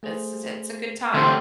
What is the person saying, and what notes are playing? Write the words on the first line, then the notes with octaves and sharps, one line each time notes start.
it's a it's a good time.
A3 G#4 C5
D3 E3 A3 C4 G4 C6